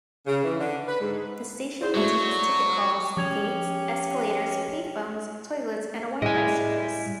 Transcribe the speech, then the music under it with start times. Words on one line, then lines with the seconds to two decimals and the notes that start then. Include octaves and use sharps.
The station contains ticket halls, gates, escalators, payphones, toilets and a Wifi service.
0.27 C#3
0.44 E3
0.60 D3
0.88 B4
1.01 G#2
1.81 E4 G#4 C5 D5
1.95 F#3 G#3 A3 F#4 D5 E5 C#6
3.17 F3 C#4 G4 G#6 F7
6.22 A2 G3 G#3 E4 D#5 G#5